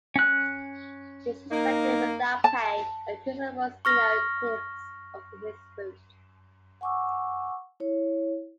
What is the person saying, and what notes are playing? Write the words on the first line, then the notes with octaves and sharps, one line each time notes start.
He is suspended without pay, and Principal Skinner takes over his route.
C#4 F#6
A#3 D#4
A5
C#6 F6 A#6
F#5 G#5 C#6 D6 E6
E4 C#5